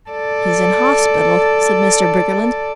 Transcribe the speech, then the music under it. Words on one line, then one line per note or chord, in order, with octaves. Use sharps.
"He's in hospital," said Mr. Briggerland.
A4 D5